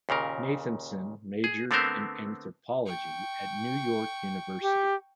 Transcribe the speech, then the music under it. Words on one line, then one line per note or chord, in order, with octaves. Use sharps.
Nathanson majored in anthropology at New York University.
D#2 A#2 C#3 A#4
G#4
D3 A3 B3 C4 A#4 C5
G5 C#6
G4